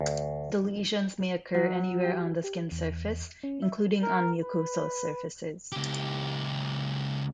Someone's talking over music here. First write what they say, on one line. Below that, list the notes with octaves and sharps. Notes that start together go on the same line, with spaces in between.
The lesions may occur anywhere on the skin surface, including on mucosal surfaces.
D2
F#3
G4
G4
E2
C#4
E5
A#4
B4
C#2 G4